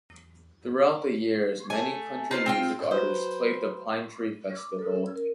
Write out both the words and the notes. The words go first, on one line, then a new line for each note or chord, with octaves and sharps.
Throughout the years many country music artists played the Pine Tree Festival.
A3 G#5
D#4 F4 C5 F5
C4 F4 G5
F#3 B4 C5
D6
A4
C#4
A#4